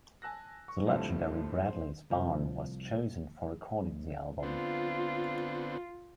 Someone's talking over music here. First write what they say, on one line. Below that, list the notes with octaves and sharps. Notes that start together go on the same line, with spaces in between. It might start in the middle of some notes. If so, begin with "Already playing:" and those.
The legendary Bradley's Barn was chosen for recording the album.
G#5 A5 E6 F#6 A#6
C#6
F2 A2 D3 F3 G3 A3
C5
C2 F3
D3 B3 C4 F4